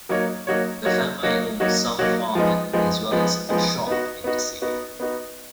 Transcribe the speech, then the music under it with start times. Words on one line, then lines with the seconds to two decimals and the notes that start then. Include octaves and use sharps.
The family owned some farmland as well as a shop in the city.
0.09 F#3 A#3 D#4 F#4 C#5
0.47 F#3 A#3 D#4 F#4 C#5
0.85 F#3 A#3 D#4 F#4 C#5
1.23 F#3 A#3 D#4 F#4 C#5
1.60 F#3 A#3 D#4 F#4 C#5
1.99 F#3 A#3 D#4 F#4 C#5
2.35 F3 G#3 B3 D#4
2.73 F3 G#3 B3 D#4
3.11 F3 G#3 B3 D#4
3.49 F3 G#3 B3 D#4
3.87 B3 D#4 F#4
4.24 B3 D#4 F#4
4.62 B3 D#4 F#4
5.00 B3 D#4 F#4